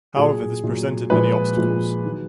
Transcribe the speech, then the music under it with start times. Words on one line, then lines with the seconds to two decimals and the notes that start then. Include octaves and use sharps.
However, this presented many obstacles.
0.16 A#2 F#3 G#4
0.64 A#2
0.69 F#3
1.10 A#2 F3 G#3 G#4 B4
1.57 A#2 F3 G#3
2.05 D#3 F#3